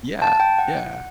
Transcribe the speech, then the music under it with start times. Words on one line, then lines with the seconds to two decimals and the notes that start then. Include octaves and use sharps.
Yeah, yeah.
0.22 A5
0.40 G5
0.59 F#5